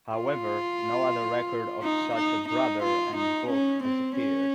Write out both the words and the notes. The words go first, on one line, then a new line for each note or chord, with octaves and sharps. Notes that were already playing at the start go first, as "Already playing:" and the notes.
However, no other record of such a brother and book has appeared.
F4
D#4
D#4
D#4
F4
D#4
C#4
C4
C#4